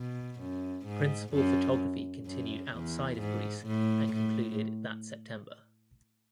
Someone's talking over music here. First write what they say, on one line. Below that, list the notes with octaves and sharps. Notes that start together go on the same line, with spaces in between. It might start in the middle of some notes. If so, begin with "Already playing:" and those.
Principal photography continued outside of Greece and concluded that September.
Already playing: B2
F#2
G#2
F#2
F#2
E2
G#2
A2
A2